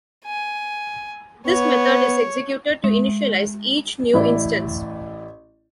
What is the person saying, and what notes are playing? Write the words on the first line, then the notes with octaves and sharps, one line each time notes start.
This method is executed to initialize each new instance.
G#5
B3 C#5
G#3
A1 E4 D5